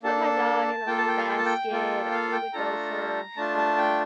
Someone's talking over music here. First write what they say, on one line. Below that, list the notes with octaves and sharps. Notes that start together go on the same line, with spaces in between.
put my dog in a little basket, we would go for, um
A#3 D4 A4 A5
A#3 F4 A4 G5
A5
G5
F5
G5
A5
G5
A#3 F4 A4
F5
G5
A3 D4 F4 A4 A#5
A3 D4 F4 A5
A5
G5